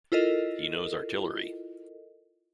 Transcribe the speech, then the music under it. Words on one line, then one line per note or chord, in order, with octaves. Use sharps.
He knows artillery!
E4 F4 A4 A#4 D#5